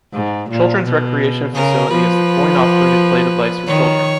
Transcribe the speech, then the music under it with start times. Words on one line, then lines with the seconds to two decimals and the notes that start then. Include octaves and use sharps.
Children's recreation facility is the coin-operated play device for children.
0.13 G#2
0.49 A#2
0.85 B2
1.55 C#3 A#4
1.90 F3 B4
3.67 D#3 C#5